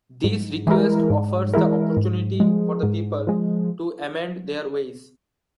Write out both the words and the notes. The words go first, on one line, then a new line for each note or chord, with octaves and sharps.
This request offers the opportunity for the people to amend their ways.
G#2
E3 G#3 E4 A#4
G#2
E3 G#3 E4 A#4
G#2
F3 G#3
G#2
F3 G#3